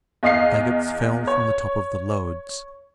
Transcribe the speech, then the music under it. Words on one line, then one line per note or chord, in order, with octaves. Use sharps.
The fagots fell from the top of the loads.
E2 D#5 F5 C7
C#5